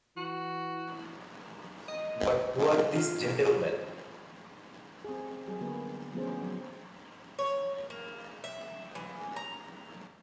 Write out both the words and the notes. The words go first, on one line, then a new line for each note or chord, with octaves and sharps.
But who are these gentlemen?
E3 F#4
D#5
F4
C4 G#4
F#3 G3 G#4
D3 A#3 B3 G#4 B4
F3 A3 B3 C#4 G#4 C5
F#3
C#5
A#3
E5
E3
A#5